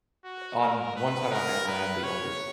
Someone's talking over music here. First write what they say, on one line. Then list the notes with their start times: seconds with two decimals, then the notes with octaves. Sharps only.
on one side of my family, I am the oldest,
0.25 F#4
0.60 A#4
0.96 B4
1.32 A#4
1.68 B4
2.04 C#5